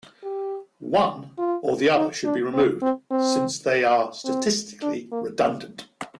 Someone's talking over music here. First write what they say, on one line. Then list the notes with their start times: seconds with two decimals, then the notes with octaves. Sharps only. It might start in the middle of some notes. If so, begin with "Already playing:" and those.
One or the other should be removed since they are statistically redundant.
0.24 G4
1.39 F4
1.97 D#4
2.25 D4
2.54 C4
2.83 C4
3.11 C4
4.26 C4
4.83 D4
5.12 A#3
5.41 A#3